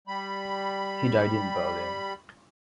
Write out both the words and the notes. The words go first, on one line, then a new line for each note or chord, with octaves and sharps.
He died in Berlin.
G3 B5